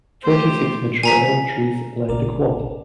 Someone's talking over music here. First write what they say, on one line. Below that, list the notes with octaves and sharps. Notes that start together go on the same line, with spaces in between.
Thirty-six mature elm trees line the Quad.
A3 G4 C5
G#5 A#5 B6
G#1 C#2 C3 A#4 D5